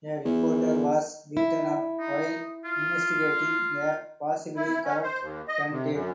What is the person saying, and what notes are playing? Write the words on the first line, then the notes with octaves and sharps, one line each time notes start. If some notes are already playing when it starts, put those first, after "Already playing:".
A reporter was beaten up while investigating a possibly corrupt candidate.
E2
E4
D#4
F4
E4
C#4
C5
D#2
D#5
C3
F#2